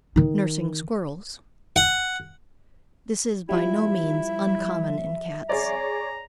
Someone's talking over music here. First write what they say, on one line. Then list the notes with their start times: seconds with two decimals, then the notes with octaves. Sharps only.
NURSING SQUIRRELS.--This is by no means uncommon in cats.
0.16 D#3 D#4
1.76 F#5
3.49 F3 G3 E4 E5
5.49 G#4 C#5 D5 A#5